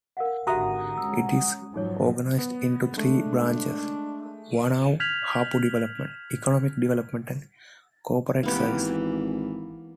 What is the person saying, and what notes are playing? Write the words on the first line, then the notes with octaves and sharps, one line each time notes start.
It is organised into three branches: "Whanau Hapu Development", "Economic Development" and "Corporate Services".
A#4 F5 F#5
G#1 D3 F#4 G4 E5 F#5 A#5 D#6
G#3 C#4 E6
G#2 F3 F#3 D#4 G#4 C#5
B3
G#3 A3 D4
F6 G6 G#6 B6 F7 F#7
G#1 E3 A#3 B3 G4